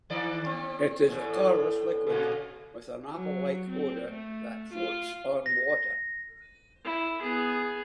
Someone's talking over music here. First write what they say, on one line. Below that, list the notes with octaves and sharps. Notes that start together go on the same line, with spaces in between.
It is a colorless liquid with an apple-like odor, that floats on water.
D#3 D5
C4
E2 A2
A#2 C#3
F#3
C4
A3
F4
A#6
E4
B3 G#4